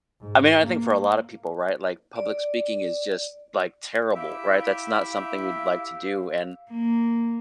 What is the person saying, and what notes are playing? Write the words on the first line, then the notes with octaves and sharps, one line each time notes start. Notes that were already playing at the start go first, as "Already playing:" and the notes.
I mean, I think for a lot of people right like public speaking is just like terrible right? That's not something we'd like to do and
G#2
A#3
D5
E4 G4 E5 F5
A#3